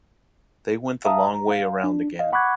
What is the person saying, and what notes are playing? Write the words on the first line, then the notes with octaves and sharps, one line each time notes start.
They went the long way around again.
E5 F5 A5 A#5 D#6
A#5
F5
D4
D#5 F5
F#5 B5 C#6 D6 F#6 G#6